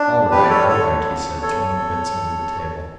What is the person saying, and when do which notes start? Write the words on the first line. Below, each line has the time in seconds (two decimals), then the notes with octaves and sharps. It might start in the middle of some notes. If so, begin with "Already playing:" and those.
"All right, all right," he said, throwing the bits under the table.
Already playing: D4
0.13 E2
0.31 E2 G4 B4
0.43 D5
0.49 G3 A4 C#5
0.68 D3 A4 C#5
0.86 E2
1.05 C#3
1.23 E2
1.42 E2 A4 C#5
1.60 E2
1.78 E2
1.97 E2